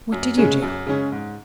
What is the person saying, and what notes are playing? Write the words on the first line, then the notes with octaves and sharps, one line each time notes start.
"What did you do?"
F#2
C#3 G#3 C#4
F#2
C#3 G#3 C#4
G#2